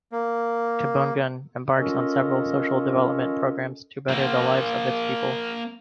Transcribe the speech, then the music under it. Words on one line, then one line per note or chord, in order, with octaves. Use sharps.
Tubungan embarks on several social development programs to better the lives of its people.
A#3
C#4 F4 A4 A#4 D#5
A#3 C5